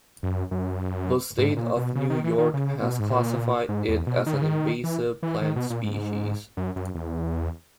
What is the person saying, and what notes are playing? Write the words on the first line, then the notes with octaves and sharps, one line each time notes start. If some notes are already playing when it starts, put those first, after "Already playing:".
The State of New York has classified it as an invasive plant species.
F#2
F#2
G#2
A#2
B2
C#3
D#3
E3
D#3
C#3
B2
G#2
A#2
G#2
E2
B2
D#3
C#3
D#3
E3
E3
D#3
B2
A#2
G#2
F#2
F#2
E2